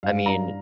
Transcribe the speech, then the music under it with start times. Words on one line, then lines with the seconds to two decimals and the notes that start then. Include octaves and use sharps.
I mean,
0.03 G2 F5
0.26 G2 A#5